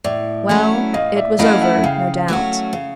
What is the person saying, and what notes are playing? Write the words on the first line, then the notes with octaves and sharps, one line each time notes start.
Well, it was over, no doubt.
A2 D5 E5
F#3 A3 C#4 E4
A2 D#5 F5
D5 E5
F#3 A3 C#4 E4 D#5 F5
E5 F#5
C#3 F5 G5
F#3 A3 C#4 F#4
C#3